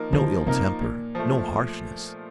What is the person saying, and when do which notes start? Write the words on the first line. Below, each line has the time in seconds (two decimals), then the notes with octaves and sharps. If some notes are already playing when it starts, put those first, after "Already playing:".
No ill-temper, no harshness.
Already playing: F3 A#3 D#4 A#4
0.13 D3 F3
0.47 C3 A#3 D#4 A#4
0.81 A#2
1.15 F3 A3